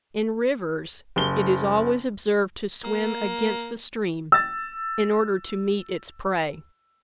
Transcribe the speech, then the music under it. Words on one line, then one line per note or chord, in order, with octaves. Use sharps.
In rivers it is always observed to swim against the stream, in order to meet its prey.
F#1 G7
A#3
E6 A6